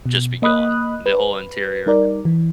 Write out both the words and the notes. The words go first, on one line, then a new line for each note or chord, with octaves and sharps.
just be gone, the whole interior.
B2
A#3 D#5 B5 D#6 F#6
B4
G3 D#4 A#4 D5
E3